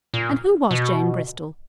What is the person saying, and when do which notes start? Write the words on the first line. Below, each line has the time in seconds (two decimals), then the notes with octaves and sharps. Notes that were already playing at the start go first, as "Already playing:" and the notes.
And who was Jane Bristol?
0.14 A#2
0.71 B2